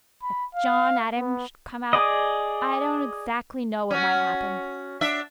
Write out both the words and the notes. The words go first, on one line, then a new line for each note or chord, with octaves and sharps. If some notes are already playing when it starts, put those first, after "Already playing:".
If John Adam should come out, I don't exactly know what might happen.
B5
F5
B3
G#4 D5 D#5
C#4 F#4
D4 E5